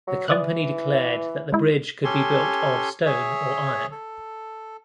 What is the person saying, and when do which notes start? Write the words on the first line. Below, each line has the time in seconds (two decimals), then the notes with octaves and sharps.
The Company declared that the bridge could be built of stone or iron.
0.07 F#3
0.28 E3 D5 D#6 F#6
1.52 G#3 E4
2.04 C#4 G4 A4 G#5 C6
3.06 G#4 C#5 E5
3.91 A4